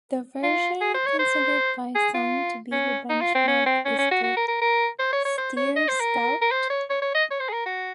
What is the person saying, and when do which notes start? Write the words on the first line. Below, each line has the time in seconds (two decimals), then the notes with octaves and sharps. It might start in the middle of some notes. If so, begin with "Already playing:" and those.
The version considered by some to be the benchmark is the Steyr Scout.
0.43 F4
0.81 G#4
0.94 C5
1.06 C#5
1.19 C5
1.95 G#4
2.14 F4
2.72 C#4
3.09 D#4
3.21 F4
3.35 C4
3.48 C#4
3.66 C4
3.85 C#4
3.98 C#4
4.11 F#4
4.23 F#4
4.36 A#4
4.48 A#4
4.61 A#4
4.99 C5
5.12 C#5
5.25 C#5
5.38 C5
5.57 C#5
5.76 D#5
5.88 C5
6.00 A#4
6.41 A#4
6.51 C5
6.70 C#5
6.90 C#5
7.02 C#5
7.15 D#5
7.31 C#5
7.40 C5
7.49 G#4
7.53 A#4
7.66 F#4